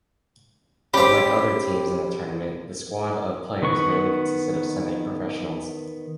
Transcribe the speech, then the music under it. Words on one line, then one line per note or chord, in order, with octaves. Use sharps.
Unlike other teams in the tournament, the squad of players mainly consisted of semi-professionals.
C#4 G4 C5 B5
D#3 B3 B4 C#6